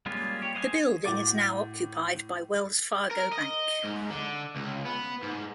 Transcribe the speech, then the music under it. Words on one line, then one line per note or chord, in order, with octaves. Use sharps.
The building is now occupied by Wells Fargo Bank.
G3 G#3 A#3 C#4 F4
G4 C#5
C5 D#5 F#5 G#5
A2 F#4 D6 A6
A#4
D#5
G#2
D3
C#2
B3
G#2